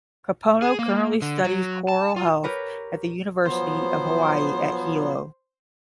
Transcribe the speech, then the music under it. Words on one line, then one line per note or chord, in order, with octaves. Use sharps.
Kapono currently studies coral health at the University of Hawaii at Hilo.
G#4
A#3
D3
F#3
A5
F4
G4 A#4 B4 C#5
F3 F#3 B3 C5